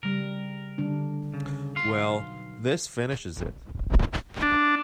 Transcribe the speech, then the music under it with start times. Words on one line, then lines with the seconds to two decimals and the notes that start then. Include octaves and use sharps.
Well, this finishes it.
0.03 C#3 G3 A#4
0.78 D3 G3 D4
1.34 C#3
1.75 B1 F5 C6
4.42 D4